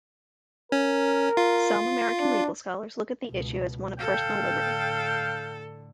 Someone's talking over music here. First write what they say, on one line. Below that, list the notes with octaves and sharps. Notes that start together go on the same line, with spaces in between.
Some American legal scholars look at the issue as one of personal liberty.
C#4 A#4
F4
D4
C#2 B2
A2 D3 A4 F5 G5